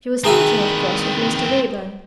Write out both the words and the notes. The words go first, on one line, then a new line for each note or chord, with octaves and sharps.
She was thinking, of course, of Mr. Raeburn.
D#3 C4 E4 G#4 B4 A#5